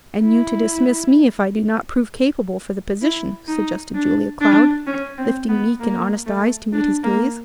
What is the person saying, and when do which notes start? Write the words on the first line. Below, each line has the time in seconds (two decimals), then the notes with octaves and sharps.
"And you to dismiss me if I do not prove capable for the position," suggested Julia Cloud, lifting meek and honest eyes to meet his gaze.
0.23 E4
3.02 E4
3.48 D#4
3.95 D4
4.41 D4
4.87 C#4
5.18 C4
5.49 B3
5.80 A#3
6.26 A3
6.73 D4
7.04 A#3